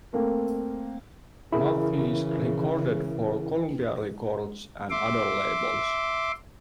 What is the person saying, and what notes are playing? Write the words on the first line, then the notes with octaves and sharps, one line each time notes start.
Maphis recorded for Columbia Records and other labels.
A3 A#3 C4
C#3 E3 E4 G#4 A#4
E5 C6 D6